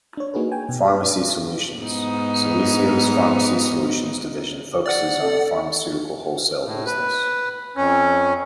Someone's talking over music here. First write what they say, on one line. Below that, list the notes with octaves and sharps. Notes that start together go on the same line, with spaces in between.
Pharmacy solutions: Celesio's Pharmacy Solutions division focuses on the pharmaceutical wholesale business.
D4 C#5
A#3 D#4 F#4 G#4 A#4 B4
G5 G#5
B2
G4 B4
G#2 B3 D#4
D5 F#5
A4
A2
B4
F2 C#4